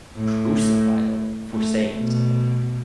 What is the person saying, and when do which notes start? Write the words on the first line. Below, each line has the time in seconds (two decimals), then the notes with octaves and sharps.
crucify them for saying so.
0.16 A2
1.49 A3
2.00 B2